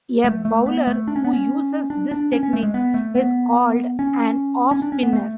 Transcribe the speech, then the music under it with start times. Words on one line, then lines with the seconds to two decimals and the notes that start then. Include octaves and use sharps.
A bowler who uses this technique is called an off spinner.
0.24 A3
0.45 A3
0.66 B3
0.87 A3
1.08 D4
1.16 C#4
1.24 B3
1.33 C#4
1.90 D4
2.11 D4
2.32 C#4
2.43 C#4
2.53 A3
2.63 G#3
2.74 B3
2.94 A3
3.15 B3
3.99 C#4
4.71 C#4
4.82 D4
4.92 C#4
5.03 B3
5.13 A3